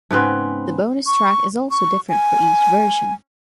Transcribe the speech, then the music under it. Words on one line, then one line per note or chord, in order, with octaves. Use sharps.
The bonus track is also different for each version.
G#2 C#3 B3 C4
C#6
C#6
G#5